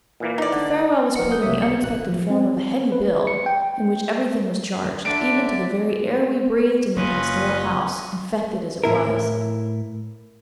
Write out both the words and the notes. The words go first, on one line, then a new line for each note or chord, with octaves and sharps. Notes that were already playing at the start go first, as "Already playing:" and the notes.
But the farewell was put in the unexpected form of a heavy bill, in which everything was charged, even to the very air we breathed in the pastoral house, infected as it was.
A#2 E3 A#3
D#4 D5
D3
F3 A#4 F#5 C#7
F#5 D#6 F#6 G6
C#2 C3 A#3 C#5 E5 D#6
C#7
A1 B2 F#6
F3
C4
B4
C#7
G5
D3 D4 D5 E5 D7
F#1 A#3 C#4 F4 B4 D#5
A2 E4 A#4